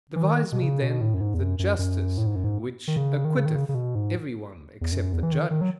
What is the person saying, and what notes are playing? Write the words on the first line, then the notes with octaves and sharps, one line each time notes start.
Devise me, then, the justice which acquitteth every one except the judge!
E3
D#3
B2
C#3
B2
A2
F#2
G#2
E2
F#2
F#2
F#2
A2
G#2
F#2
G#2
D#3
C#3
D#3
C#3
D#3
C#3
C#3
B2
G#2
E2
F#2
E2
E3
D#3
D#3
F#3